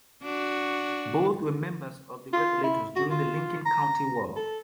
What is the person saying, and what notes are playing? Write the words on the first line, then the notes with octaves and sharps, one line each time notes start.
Both were members of the Regulators during the Lincoln County War.
D4 F#4
F4
E4
F#4
F4
A#5
A4